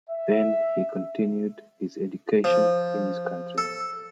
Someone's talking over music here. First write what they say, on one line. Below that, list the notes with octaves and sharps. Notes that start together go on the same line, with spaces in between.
Then he continued his education in his country.
E5
F3
A4